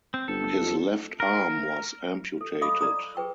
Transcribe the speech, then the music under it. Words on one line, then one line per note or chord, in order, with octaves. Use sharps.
His left arm was amputated.
C4
G1 A4
F2
A#4
A4
A4 D#5 F5 B5 D6 D#6
D5 A#5 D#6
G#4 B4 G5 C#6 E6